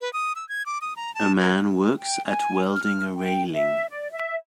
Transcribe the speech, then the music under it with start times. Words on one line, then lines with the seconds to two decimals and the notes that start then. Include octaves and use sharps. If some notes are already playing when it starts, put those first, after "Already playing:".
A man works at welding a railing.
0.01 B4
0.13 D#6
0.36 E6
0.49 G#6
0.66 D6
0.81 D#6
0.96 A#5
1.15 A5
1.39 A#4
1.98 G5
2.25 G#5
2.71 F6
3.16 G5
3.54 E5
3.90 D5
4.11 E5